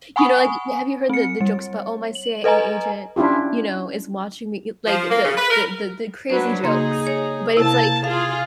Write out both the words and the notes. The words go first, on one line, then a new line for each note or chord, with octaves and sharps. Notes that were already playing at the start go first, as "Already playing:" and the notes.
You know, like, you Have you heard the the jokes about, "Oh, my CIA agent," you know, "is watching me?" you Like, the the the the crazy jokes, but it's like,
F#5 G#5 B5 C#6 D#6
G#5
C4 C#7
G3
F#7
A4 B4 D#5 G#5 A#5
C#4 D4 E4 F4 G4
F3
A#3
C#3
B4
A#4
F#3 D4 B4 C5
C#3 A#3 D#4 G#4 C6
C#5
C3 A#3 E4 A5
F4 G#4 F5